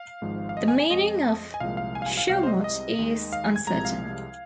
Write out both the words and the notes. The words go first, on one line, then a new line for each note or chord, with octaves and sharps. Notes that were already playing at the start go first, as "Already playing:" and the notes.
The meaning of "Shawmut" is uncertain.
Already playing: F5
G#1 G#2 F3 G#3
F5
D#5
G#5
G#5
F2 F3 G#3 D#5
G#5
C2 A#2 F3 G#3 F5
F5
G#5
F5
G#5
F5
C2 C3 G#3 F5
C5
D#5
D#5
D#2 D#3 G#3
F5
G#5
G#6
C2 C3 F3 G#3 A#5
F5